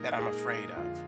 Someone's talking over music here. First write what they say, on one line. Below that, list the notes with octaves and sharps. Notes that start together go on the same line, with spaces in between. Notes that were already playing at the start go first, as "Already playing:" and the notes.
that I'm afraid of.
Already playing: A#2 G#3 D#4 A#4
G#4
F2 D3 G#3 F4